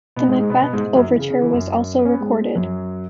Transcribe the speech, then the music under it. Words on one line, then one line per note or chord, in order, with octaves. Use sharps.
The "Macbeth" Overture was also recorded.
B2 B3
G#2 G#3
G#2 G#3
B2 B3
B2 B3
G#2 G#3
G#2 G#3
F#2 F#3
E3
C#3
C#3
E3
F#2 F#3
C#4
B3
G#2 G#3
G#3
F#2 F#3